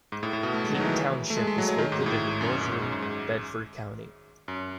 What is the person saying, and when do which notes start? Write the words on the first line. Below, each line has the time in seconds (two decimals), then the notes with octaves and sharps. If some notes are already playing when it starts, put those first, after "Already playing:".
King Township is located in northern Bedford County.
0.12 G#2
0.23 A2
0.33 A2
0.43 B2
0.54 A3
0.64 G#3
0.74 F#3
0.80 D#3
0.85 E3
1.30 A3
1.37 G#3
1.47 G#3
1.58 F#3
1.68 F#3
1.78 D#3
1.92 G#2
2.06 A2
2.41 F#2
2.61 F#2
2.72 G#2
2.82 F#2
2.92 G#2
3.02 G#2
4.48 F#2